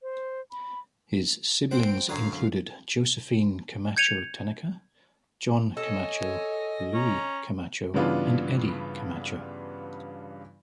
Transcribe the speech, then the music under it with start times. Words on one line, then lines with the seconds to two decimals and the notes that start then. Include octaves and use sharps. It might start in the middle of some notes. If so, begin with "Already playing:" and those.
His siblings included Josephine Camacho Tanaka, John Camacho, Luis Camacho, and Eddie Camacho.
0.02 C5
0.51 B5
1.71 C4 C5 F#5 D7
2.09 F#2 D3 F#3 F5 D#6
3.96 G6 G#6 C#7 D#7 F7
5.77 A4 C#5 D#5 G#5
6.94 C#4 A#5
7.94 G2 C#3 E3 B3 D4 F4